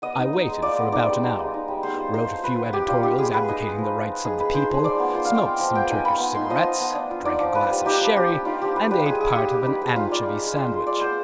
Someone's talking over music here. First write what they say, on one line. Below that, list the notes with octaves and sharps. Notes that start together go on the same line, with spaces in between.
I waited for about an hour, wrote a few editorials advocating the rights of the people, smoked some Turkish cigarettes, drank a glass of sherry, and ate part of an anchovy sandwich.
B3 D#5
D#4
D#4
G#3
F4 D5
B3
D#4 D5
G3
D#4
G#3
D#4
G3
B3 C5
F4
D#4 C5
F3
F4 B4
B3
F4 G4
G3 F4
D#4 G4
G#3 G#4
B3 B4
D#4 D#5
F4
F3
F4
G#3
D#4 G#4
G#3 B4
D#4 C5
F3
F4 D5
B3
F4 C5
F5
G#3 G5
C4
F3
B3 G5
D#4 G#5
F4 B5
B3
D#4 C6
F3 D#5
F4
B3
D4
F4
D#4 D5
F3
F4 B4
G3
D#4 G4
F3
D4 G4
F4
D#4 F4
F3 G4
F4 B4
G3 B4
D#4 G#4
G#3 G#4
F4 G4
G3 G4
D#4 B4
F3 G#4
D#4 F4
G#3 D5
D#4
G#3
F4 C5
G#3
F4 D5
B3 C5